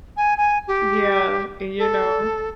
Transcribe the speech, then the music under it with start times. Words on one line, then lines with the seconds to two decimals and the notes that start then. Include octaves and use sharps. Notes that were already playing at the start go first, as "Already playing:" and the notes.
Yeah, and, you know
0.17 G#5
0.37 G#5
0.68 G4
1.79 A4